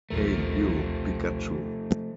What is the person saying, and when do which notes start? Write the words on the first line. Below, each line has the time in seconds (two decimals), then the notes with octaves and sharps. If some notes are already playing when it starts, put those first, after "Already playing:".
Hey You, Pikachu!
0.10 A#1 D#2 F3 A3 A#4